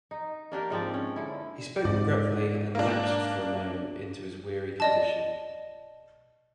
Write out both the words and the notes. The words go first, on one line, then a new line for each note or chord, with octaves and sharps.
He spoke regretfully and lapsed for a moment into his weary condition.
D#4
A#3 D4 G4 A#4
G#2 F3 C4 D5
C#4
D3 E4
G#2 D5
A#3 D4
D5 D#5 A5